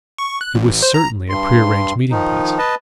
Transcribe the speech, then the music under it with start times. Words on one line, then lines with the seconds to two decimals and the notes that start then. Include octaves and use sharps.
It was certainly a prearranged meeting place.
0.18 C#6
0.41 F#6
0.55 A1
0.83 C5
0.94 A#5
1.30 G2 C6
2.11 D#3 F3 D#4
2.58 B4 D#5 A5